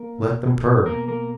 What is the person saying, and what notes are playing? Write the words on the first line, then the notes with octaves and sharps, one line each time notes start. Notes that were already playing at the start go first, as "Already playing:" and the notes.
Let them purr.
Already playing: A#3 A#4
A#2
B2 A#3 A#4
A#3 A#4